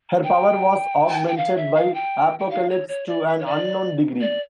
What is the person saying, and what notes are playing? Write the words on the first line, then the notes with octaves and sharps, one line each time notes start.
Her power was augmented by Apocalypse to an unknown degree.
G5
G5
F5
E5
F5
G5
G5
F5
C#5
C#5
D5
E5
C#5
D5
D5